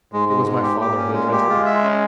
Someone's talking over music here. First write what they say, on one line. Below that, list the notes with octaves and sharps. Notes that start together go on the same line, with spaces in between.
It was my father who addressed me.
G#2 G#3
G#3
G#3
G4
A#2 G4
C#4
G#3
G4
G#3 F4
E5
C#4